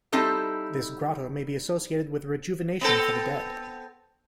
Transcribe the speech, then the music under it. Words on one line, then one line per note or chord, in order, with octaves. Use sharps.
This grotto may be associated with rejuvenation for the dead.
G3 C4 D#4 E4 A4 A5
B3 C4 A4